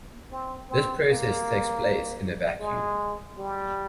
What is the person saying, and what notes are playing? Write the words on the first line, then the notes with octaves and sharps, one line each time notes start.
This process takes place in a vacuum.
C4
C4
A#3
G#3
G3